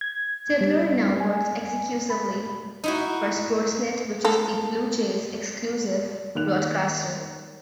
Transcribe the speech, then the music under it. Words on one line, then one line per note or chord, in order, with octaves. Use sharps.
Tabler now works exclusively for Sportsnet, which is the Blue Jays' exclusive broadcaster.
G#6
G3
G#5
B5
D#4 E4 F#4
A#3 A4
D#3 A#3 F#6 F7